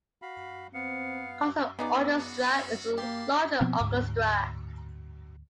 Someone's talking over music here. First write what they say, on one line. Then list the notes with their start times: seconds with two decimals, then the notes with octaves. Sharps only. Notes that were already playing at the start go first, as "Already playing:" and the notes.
Concert Orchestra is the larger orchestra.
0.22 F#4 F5 B5
0.74 B3 C4 F5 C#7
1.79 C#3 B3 D#4 D5
2.18 F4 F#4
2.98 A#3 G4 A5 B5 C6
3.61 B2 F3 B3 C4
3.80 D2 G#2